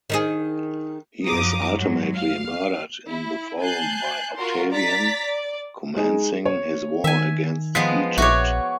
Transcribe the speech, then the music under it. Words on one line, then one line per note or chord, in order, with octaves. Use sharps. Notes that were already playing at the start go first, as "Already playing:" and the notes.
He is ultimately murdered in the Forum by Octavian, commencing his war against Egypt.
D#3 D#4 G#4
F#2 F3 A#5 D6 D#6
G#2 F#3
F5
E4
G#5 A5 F#6 G6 C7
F4 F#4 A#4 C6
D5 A#5 A6 B6
D5
G#3 D#4 G#4
C#5
D#3 E5 G#5
F3 G#3 B3 B6 C7
A#1 F#4 C#5 E5 D6